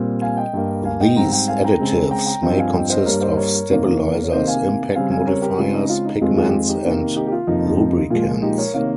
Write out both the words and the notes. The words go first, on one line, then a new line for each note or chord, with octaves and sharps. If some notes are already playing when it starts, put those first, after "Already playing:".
These additives may consist of stabilizers, impact modifiers, pigments and lubricants.
Already playing: A#2 G3 C4
F5 G#5
D#5 G5
G2 G3 A#3
F5 G#5
D#5 G5
G#2 G3 C4 G5 A#5
G5 A#5
F5 G#5
G5 A#5
C#3 G#3 C4
G5 A#5
G5 A#5
G2 F3 C4 D#5 G5
F5 G#5
D#5 G5
C5 D#5
G2 G3 A#3 A#4 C#5
C5 D#5
A#4 C#5
F2 C3 D#3 A#3
C#5
C3 D#3 A#3 C5 D#5
F5 G#5
C#3 G3 C4 F5 G#5
F5 G#5
A#4 C#5
G4 A#4
C#3 G#3 C4 F4
D#4
F4
D#4
F2 D#3 G#3 C4 F4
F4 G#4
G4
F4 G#4
D#4 G4
C3 D#3 A#3
D#4 G4
G4
F4
F2 C3 F3 A#3 D#4
A#2 F3 G#3 F4
F4
D#4 G4
A#4 C#5
C3 D#3 A#3 C#5 F5